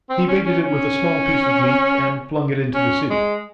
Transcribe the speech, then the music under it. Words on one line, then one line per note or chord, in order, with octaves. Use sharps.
He baited it with a small piece of meat and flung it into the sea.
C4
C#4
C#4
C#4
C#4
G#3